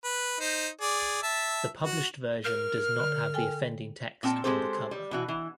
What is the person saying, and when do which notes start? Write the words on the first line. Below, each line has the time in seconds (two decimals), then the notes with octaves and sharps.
The published version does not have the offending text on the cover.
0.04 B4
0.40 D#4 C5
0.81 G#4 D5
1.23 E5 A5
1.83 F#4
2.44 A#4 F6 G6
3.00 D3
3.34 A4 G5 G#5
4.23 A#2 C4 G5 A5
4.44 G#3 C4 G4 A4 C5
4.91 G3
5.11 B2 E3 F#4
5.28 E3